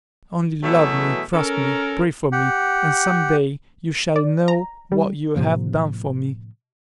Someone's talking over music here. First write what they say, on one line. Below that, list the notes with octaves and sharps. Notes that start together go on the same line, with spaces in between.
Only love me, trust me, pray for me, and some day you shall know what you have done for me.
B2 E3 F#3 A3 G#4 E5
C#4 A4 A#4
G4 F#5
D5
A#5
G3
A2 C3 F3 A#3